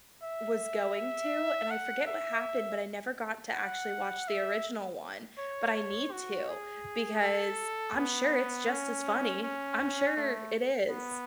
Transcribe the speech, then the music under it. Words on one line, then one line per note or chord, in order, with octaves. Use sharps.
was going to and I forget what happened but I never got to actually watch the original one, but I need to because I'm sure it's just as funny. I'm sure it is.
E5
F#5
E5
F#5
E5
C#5
F#4
G#4
A4
B3
C#4
C#4
A3
B3